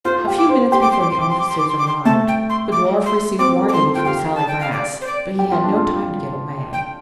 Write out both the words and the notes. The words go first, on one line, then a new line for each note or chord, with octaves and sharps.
A few minutes before the officers arrived the dwarf received warning from Sally Brass, but he had no time to get away.
F4 C5
G4
D6
C5
G4 C6
D6
C6
D6
C6
D6
C6
D6
C6
D6
C6
D6
C6
A3 A5
G5
C6
D6
C6
C4 D6
A4
D6
C6
A4
F4 G5
G4 F5
A5
G5
F5
D5
C5
D5
G4
F4
D4
F4
G5